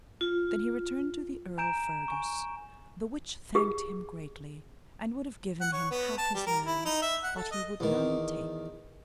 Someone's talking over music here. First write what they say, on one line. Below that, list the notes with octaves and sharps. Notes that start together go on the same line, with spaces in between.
Then he returned to the Earl Fergus, the which thanked him greatly, and would have given him half his lands, but he would none take.
F4
G#5 A#5 G6 D7 E7
G#5 C#6
G4 G#4
F#5
C#5
B3
A5
G3
A#4
E4
D#4
E5
F#5
A4
D#5
E2 D#3